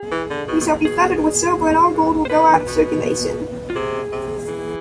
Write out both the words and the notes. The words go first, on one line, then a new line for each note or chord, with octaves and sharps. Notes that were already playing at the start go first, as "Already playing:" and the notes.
We shall be flooded with silver and all gold will go out of circulation.
Already playing: G#4
E3
D3
B2
B2
A2
B2 G#4
E3
E3
C5
D3 B4
B2
F4
C3 G#4
C3
E3